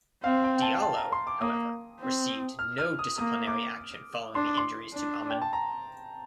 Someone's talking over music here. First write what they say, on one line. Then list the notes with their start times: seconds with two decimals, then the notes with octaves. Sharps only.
Diallo, however, received no disciplinary action following the injuries to Ammann.
0.24 C4 F5
0.44 G5
0.62 A5
0.75 G5
0.82 A5
0.96 A#5
1.12 C6
1.27 D6
1.41 A#3 D#6
2.00 C4
2.59 F6
2.78 F6
2.99 D#6
3.18 A#3 D#6
3.47 D6
4.35 D4 C6
4.47 D6
4.58 C6
4.94 D4
5.30 G5
5.42 A5
5.53 A#5